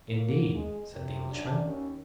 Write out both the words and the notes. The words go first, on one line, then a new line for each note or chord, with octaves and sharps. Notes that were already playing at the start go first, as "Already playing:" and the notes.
"Indeed!" said the Englishman.
A#2 F#3 A#3
G#3
C3
F#2 D4
D#2 C#4